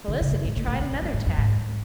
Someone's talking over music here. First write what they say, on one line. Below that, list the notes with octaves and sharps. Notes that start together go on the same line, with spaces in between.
Felicity tried another tack.
D#3
C#3
F#2
G#2
A2
A2
E2
F#2
F#2
G#2
F#2
G#2